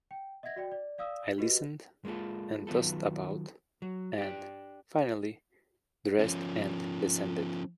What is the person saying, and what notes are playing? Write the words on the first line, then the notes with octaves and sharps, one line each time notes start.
I listened, and tossed about, and, finally, dressed and descended.
G5
D#5 E5 F#5 G#6 A#6
F#4 D5 G5
D5
D5 F5 D#6 E6
F#4 G4 B4 D#5
G#3 A#3 C#4 F4 A4
D#3 F#3 B3 F4 A4
F#3
D4 G4
F3 C#4